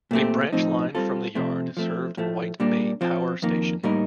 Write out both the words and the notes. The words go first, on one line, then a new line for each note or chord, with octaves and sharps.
A branch line from the yard served White Bay Power Station.
A#2 A3 C4 G4
A2 F3 C4 D#4
G3 C4 F4 A4
C3 F3 A3 C4
F3 A3 C4
A2 F3 A3
A#2 G3 A#3 D4
F3 C4 F4
F2 D#3 A#3
A2 G3 A#3 D#4 A#4